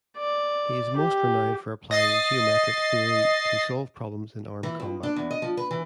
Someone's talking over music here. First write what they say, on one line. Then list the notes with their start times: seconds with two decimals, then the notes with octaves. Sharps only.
He is most renowned for applying geometric theory to solve problems in armed combat.
0.17 D5
0.97 G4
1.91 D#5 A6 C7
4.63 E3
4.80 F2
5.03 D4
5.16 E2
5.31 D#5
5.42 F3
5.57 B4
5.71 E3